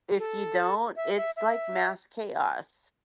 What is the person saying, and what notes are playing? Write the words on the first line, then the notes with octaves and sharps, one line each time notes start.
if you don't, it's like mass chaos.
A4
E5
E5
E5